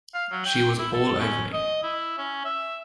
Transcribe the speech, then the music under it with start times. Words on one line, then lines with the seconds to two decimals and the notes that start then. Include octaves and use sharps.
She was all over me.
0.14 F5
0.32 F#3
0.45 G5
0.78 E4
0.93 A4
1.20 C#4
1.53 D#5
1.83 E4
2.18 C#4
2.45 E5